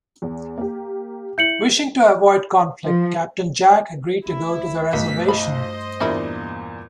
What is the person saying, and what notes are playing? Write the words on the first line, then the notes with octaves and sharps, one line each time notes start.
Wishing to avoid conflict, Captain Jack agreed to go to the reservation.
E2
A#3 G4
E4 G6 C#7 F#7
F3
D2 E4 E5
B1 G2 A3 D#4 B6
F3 C5 D#5 B5
E2 A#2 G3 A#3 D4 E4